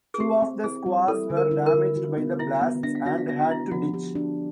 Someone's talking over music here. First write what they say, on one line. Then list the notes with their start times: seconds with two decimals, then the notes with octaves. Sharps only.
Two of the Skuas were damaged by the blasts and had to ditch.
0.14 G#4
0.20 C4 G4
0.42 C4
0.64 E4 G#4
0.86 G3
1.08 E4 A4
1.30 D3
1.37 A#4
1.51 E4
1.66 A#4
1.74 D3
1.96 F#4
2.18 B3
2.39 B3 E4 E5
2.61 B3
2.83 D4 E5
2.95 F5
3.06 F#4 E5
3.18 F5
3.28 B3 E5
3.40 F5
3.50 D4 E4 E5
3.71 F3 F#4 F#5
3.94 G4
4.15 D4